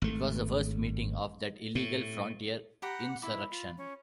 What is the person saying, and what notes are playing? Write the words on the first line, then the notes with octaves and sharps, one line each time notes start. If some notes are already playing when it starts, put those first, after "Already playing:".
It was the first meeting of that illegal frontier insurrection.
G#1 A3
A2
G4 F#5 A#5 B5
E4 B5 D6
F4
C#4